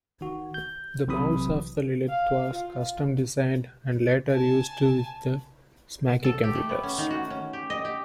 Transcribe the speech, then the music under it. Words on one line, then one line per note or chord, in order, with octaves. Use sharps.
The mouse of the Lilith was custom-designed, and later used with the Smaky computers.
D#3 F#4
G6
B1 C3 E3 F#3 B5 D#6
F5
F4
G#5 A5
A4
G4
A3
B3
C#4
D#3
F#4
C#4
G4
D#5
G4